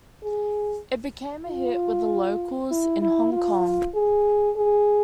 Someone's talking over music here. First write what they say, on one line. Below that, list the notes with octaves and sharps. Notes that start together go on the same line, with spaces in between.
It became a hit with the locals in Hong Kong.
G#4
F4
E4
E4
F4
G#4
G#4